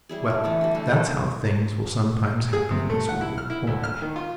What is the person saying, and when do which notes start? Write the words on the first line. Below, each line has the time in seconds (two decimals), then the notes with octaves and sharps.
Well, that's how things will sometimes happen in this world, won't they?
0.09 G3 E4 G#4
0.30 A3
0.44 D3 E3 B3
0.61 D3 G3
0.75 A3 E4
0.87 A4
2.53 G#4
2.71 C3
2.90 A3
3.09 F#5
3.21 E4
3.38 F6
3.50 E4
3.67 D2
3.84 F6
4.02 D#3
4.16 F4